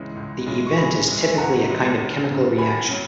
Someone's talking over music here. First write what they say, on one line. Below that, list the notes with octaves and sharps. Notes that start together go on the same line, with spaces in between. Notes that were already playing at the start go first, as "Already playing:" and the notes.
The "event" is typically a kind of chemical reaction.
Already playing: C#2 C#3 E3 G#3
C#2
C#3 E3 G#3
C#6
C#2 G#5 B5
C#3 E3 G#3
E5 G#5
C#2 F#5 A#5
C#3 E3 G#3
D#2
C#3 F#3
D#2 G#5 B5
C#3 F#3